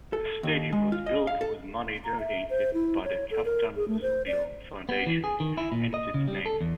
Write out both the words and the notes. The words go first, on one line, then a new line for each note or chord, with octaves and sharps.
The stadium was built with money donated by the Kaftanzoglou Foundation, hence its name.
A4
D#2
G#3
F4
D#5
F5
A4
A#5
E5
C5
E4
C#5
A4
A#4
G#4
A3
C5
D5
B3
E3
G#4
D#3
E4
A#2
D#5
C#3
G3
A4
E2